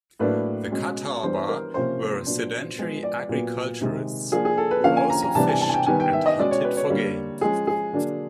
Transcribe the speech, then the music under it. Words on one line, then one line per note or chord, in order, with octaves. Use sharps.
The Catawba were sedentary agriculturists, who also fished and hunted for game.
A2 F#3 A#3 D4 B4
B2 G#3 C#4
E3 G3 B3 D4 C5
A#4
C3 F3 A#3 C#4 C5
A#2 F#3 B3 D4
F3 G#3 B3
D5
A#2 F#3 B3
C3 D#3 G#3
F3 A#3 D4 G#4
G#4
A4
B4
D3 F3 A#3 C#4 F5
G#5
A#5
A#5
C3 E3 G3 B3 D4 A5
G#5
A5
G#5
G5
D#3 G3 B3 G#5
G5
E5
D#5
B2 G#3 C#4 D5
C#5
B4
C#5
D3 G3 A#3
F3 G#3 C#4 G#4
G#4
D3 F#3 A#3 D4